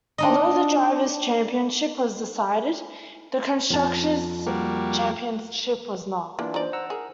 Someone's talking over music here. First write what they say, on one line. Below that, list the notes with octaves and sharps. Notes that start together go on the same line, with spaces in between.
Although the Drivers' Championship was decided, the Constructors' Championship was not.
D4 D#4 D#5
F2 A5
G3 A#3 F#4
E3 A#3 D4 F4
D#4 C5 D5
F#5 A#5 E6
G#4 A#4